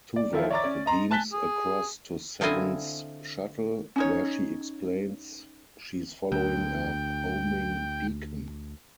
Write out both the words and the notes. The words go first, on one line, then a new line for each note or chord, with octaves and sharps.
Tuvok beams across to Seven's shuttle, where she explains she's following a homing beacon.
D5
D#3 F3 E4 F4 A4
C#5 D5 E5 A#5 D6 A6
C#4 D5
D#5 A#5 C6
G#5 A5 F#6 A6 B6 G7
G#4
D3 C4 E4 F4 D#5 G#5
C#4 D#4 C#5
D2 G5